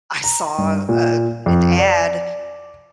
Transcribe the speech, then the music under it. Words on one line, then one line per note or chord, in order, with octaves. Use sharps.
I saw, uh, an ad
A#5
G2
A#2
F2
D5